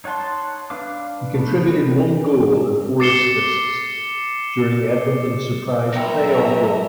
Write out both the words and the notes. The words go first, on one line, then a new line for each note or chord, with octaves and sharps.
He contributed one goal and four assists during Edmonton's surprise playoff run.
D#4 C#5 F#5 A5 C6
D4 B4 F5 D6
A3 B3 D4
D6 A6 C7 C#7 E7 G7
B1 E5 G5 A#5 A#6